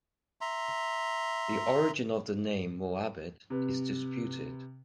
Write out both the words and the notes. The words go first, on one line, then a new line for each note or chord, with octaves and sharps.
The origin of the name "Moabit" is disputed.
E5 A#5 C6
C3 B4